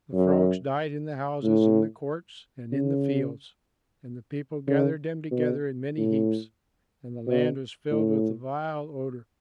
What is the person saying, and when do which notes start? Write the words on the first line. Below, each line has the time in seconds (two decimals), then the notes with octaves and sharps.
The frogs died in the houses, in the courts, and in the fields, and the people gathered them together in many heaps; and the land was filled with a vile odor.
0.14 F#2
1.43 A2
2.72 C#3
4.68 C#3
5.31 B2
5.97 A2
7.27 B2
7.91 A2